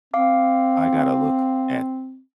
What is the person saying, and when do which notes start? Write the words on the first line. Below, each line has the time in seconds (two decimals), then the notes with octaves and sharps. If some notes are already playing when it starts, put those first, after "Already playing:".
I gotta look at
0.14 C4 F5 D6